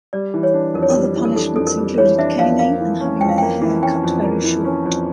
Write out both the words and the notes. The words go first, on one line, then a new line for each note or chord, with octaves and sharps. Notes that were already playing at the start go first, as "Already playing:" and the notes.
Other punishments included caning and having their hair cut very short.
G3 D5
E3
C#5
D4
F2 A#4
C#5
A#4
G3
E3
A#4
D4 A4
F2 A4
A#4
G3
E3 C#5
D4 E5
F2 F5
A#3 F5
E3
C#4
F2 G5
F5
A#3 G5
E3
C#4 G5
F2
A#3
E3
C#4
F2